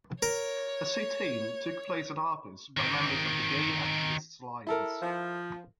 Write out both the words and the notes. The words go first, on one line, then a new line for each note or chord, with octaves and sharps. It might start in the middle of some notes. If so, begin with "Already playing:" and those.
A sit-in took place at "Harper's" by members of the Gay Activists Alliance.
A#4 C#5
D#3 C4
E4 A4 A#4
F3